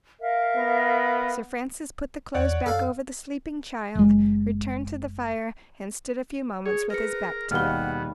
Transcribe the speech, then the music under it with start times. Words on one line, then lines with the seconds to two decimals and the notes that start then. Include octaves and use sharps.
Sir Francis put the clothes back over the sleeping child, returned to the fire, and stood a few moments with his back to it.
0.20 A#4 E5 F5
0.57 B3
2.34 E2 C#5 D5 F#5
2.66 F#2 A4 F5
3.95 F#1 G#3
6.66 G#4 C#5
6.90 A#4 B4 A#6 C#7
7.51 D#2 B2 G3 F#5 F6 G7